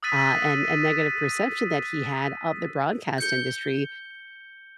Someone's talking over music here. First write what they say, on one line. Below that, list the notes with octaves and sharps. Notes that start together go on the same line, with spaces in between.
uh, and and negative perception that he had of the broadcast industry
D#6 E6 F#6 A6 B6 D#7
G6 C#7 G7